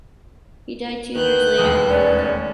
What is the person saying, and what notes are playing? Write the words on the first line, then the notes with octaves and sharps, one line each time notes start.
He died two years later in Buda.
D2 D#3 B4 F#6 G6
E1 D#2 D#6
A3 C#4 D5